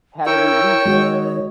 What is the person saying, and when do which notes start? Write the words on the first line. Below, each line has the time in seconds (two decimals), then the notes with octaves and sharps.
had to release
0.26 E4 A#4 C#5 G5 C#6 E6
0.86 D#3 G#3 F#4